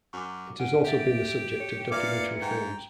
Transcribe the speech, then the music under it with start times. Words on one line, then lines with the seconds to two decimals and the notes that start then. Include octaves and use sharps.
It has also been the subject of documentary films.
0.13 F#2 C#6 D6
0.60 C#4 F#5 D7
0.84 G4 C#5 E5 A6
1.60 C#5 C#7
1.92 A#2 B4 D5 E5 F5 D6 G#6
2.42 G#2 G5 A#5